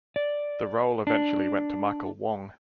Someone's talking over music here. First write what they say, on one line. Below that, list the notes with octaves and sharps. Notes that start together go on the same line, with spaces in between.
The role eventually went to Michael Wong.
D5
D4